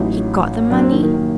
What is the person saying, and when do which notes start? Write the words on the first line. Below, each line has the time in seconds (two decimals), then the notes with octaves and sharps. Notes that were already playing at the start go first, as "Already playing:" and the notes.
He got the money.
Already playing: A1 A2 F#3 D#4
0.70 F#2 F#3 A#3 D4
0.81 C4
0.92 D#3
1.03 D#3
1.13 D#3